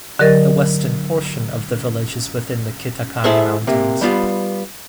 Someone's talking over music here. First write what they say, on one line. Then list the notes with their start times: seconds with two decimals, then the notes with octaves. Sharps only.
The western portion of the village is within the Kitakami Mountains.
0.19 D3 F#3 G4 A#4 D#5 A6
3.24 E4 G#4 A4 C5 E5
3.67 C3 A#3
4.01 G3 B3 F4